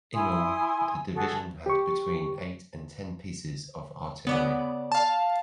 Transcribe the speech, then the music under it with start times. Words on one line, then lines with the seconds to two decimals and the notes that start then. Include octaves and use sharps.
In all, the division had between eight and ten pieces of artillery.
0.14 E4 G#5 C6 D#6
1.13 F#4 G#4 A4 F#5
1.66 G4 C#6
4.27 C#3 B3 D5 F#5
4.92 F5 A5